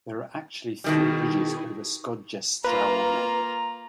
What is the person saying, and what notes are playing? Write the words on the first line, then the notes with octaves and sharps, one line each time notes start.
There are actually three bridges over Skodjestraumen.
B2 D#3 G3 D#4 E4 G#4
A#3 F4 B4 A#5